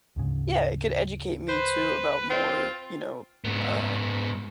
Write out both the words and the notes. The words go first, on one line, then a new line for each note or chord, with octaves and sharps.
Yeah, it could educate me too about more, you know, m uh,
D2 G#2 C#3
B4 C5
C4 F4
G#2 B3